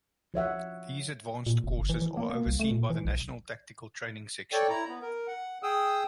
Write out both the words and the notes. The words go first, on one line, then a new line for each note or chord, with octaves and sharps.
These advanced courses are overseen by the National Tactical Training Section.
F3 C#5 E5 F#5
A#2
F1
G1
E3
E3
A#3
A#3
C2
A3
A#2
E3
B1
A4 C#5 D5 G5
E4 A#5
B3
A#4
F#5
G#4 G5 D#6 E6